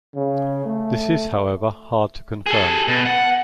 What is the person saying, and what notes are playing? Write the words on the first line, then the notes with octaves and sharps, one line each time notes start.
This is however hard to confirm.
C#3
A3
G#4 A4
B2
F#5